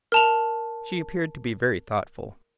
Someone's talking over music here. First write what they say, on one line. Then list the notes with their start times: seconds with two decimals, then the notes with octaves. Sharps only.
She appeared to be very thoughtful.
0.12 A#4 A5 F7